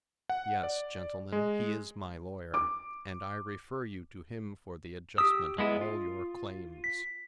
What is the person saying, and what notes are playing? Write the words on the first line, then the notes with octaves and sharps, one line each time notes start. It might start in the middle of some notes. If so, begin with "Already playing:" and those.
Yes, gentlemen, he is my lawyer, and I refer you to him for the adjustment of all your claims.
F#5
D5
G#3
D6
G4 D#6 E6
G#3 B3 E4
F4
B6